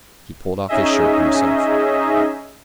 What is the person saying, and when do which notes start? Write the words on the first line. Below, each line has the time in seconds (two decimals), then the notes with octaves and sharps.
He pulled off his shirt, himself.
0.68 C#4 D#4 G#4 D#5 E5